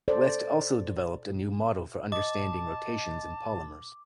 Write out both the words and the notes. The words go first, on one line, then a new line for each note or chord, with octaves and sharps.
West also developed a new model for understanding rotations in polymers.
A4 C5 D5
D#5 A5 D6